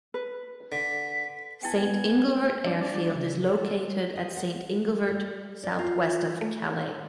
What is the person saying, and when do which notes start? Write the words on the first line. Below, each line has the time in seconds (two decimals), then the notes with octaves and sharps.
Saint-Inglevert Airfield is located at Saint-Inglevert, south west of Calais.
0.14 B4
0.72 D3 B6
1.63 B3 E4 G5 G#5
2.67 F3 G3 D4 D5
3.15 C#3
3.49 A4
4.16 D#5
4.37 F#5
5.09 G3
5.63 D5
5.79 F4
6.41 A3